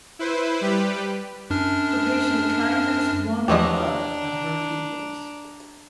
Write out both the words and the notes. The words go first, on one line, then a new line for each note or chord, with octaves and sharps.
Her patient kindness won the love of her pupils.
E4 B4 C5
G3 G4 B4
F#2 D4 F6
E2 E3 F3 D4 G4 C#5 D#5 A#5